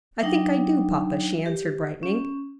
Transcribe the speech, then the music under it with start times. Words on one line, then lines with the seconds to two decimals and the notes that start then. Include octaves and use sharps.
"I think I do, papa," she answered, brightening.
0.22 F#3 D4 D#4 G5
1.46 G4
2.03 C#4